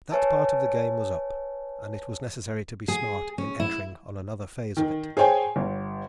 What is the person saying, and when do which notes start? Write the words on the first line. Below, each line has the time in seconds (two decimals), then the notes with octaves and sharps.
That part of the game was up--and it was necessary to be smart in entering on another phase of it.
0.12 B4 C#5 E5 G#5 A5
2.88 G#4
3.38 C#4
3.60 E4
4.77 D#3
5.17 G#4 C5 C#5 G5 G#5
5.56 G1